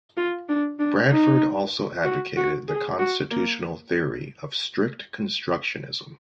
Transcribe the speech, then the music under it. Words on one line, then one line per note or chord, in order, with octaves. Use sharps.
Bradford also advocated the constitutional theory of strict constructionism.
F4
D4
D4
D#4
F#4
F#4
G#4
F#4
A#3